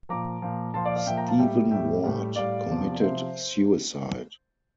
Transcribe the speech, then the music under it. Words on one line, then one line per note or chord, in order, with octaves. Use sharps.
Stephen Ward committed suicide.
A#2 F3 A#5 D6
A#2 F3
A#2 F3 A5 C6
D5 F5
D5 F5
A#2 F3 E5 G5
G5 A#5
F5 A5
A2 G3 E5 G5
A2 G3 E5 G5
A2 G3
A2 G3 D5 F5
E2 C3 F3
C3 F3 C5 E5